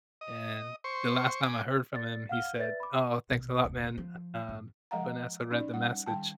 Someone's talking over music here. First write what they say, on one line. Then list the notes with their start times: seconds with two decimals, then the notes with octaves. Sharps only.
and the last time I heard from him, he said, "Oh, thanks a lot, man. Um, Vanessa read the message,
0.21 D#5
0.84 C5 C#6
1.43 G#5 D6
1.92 D5 A6
2.29 F5 F#5 F6 G7
2.59 B4 D5 E5 A6
2.80 B5 D6
3.30 A#1 B2
3.64 F1 D2
3.98 F3
4.49 G1 F3
4.91 F3 G#3 D#5 F5 F#5 A#5
5.51 C#4 D#4 D5
5.74 G3 F#5
6.06 D#3 G3 G5 A5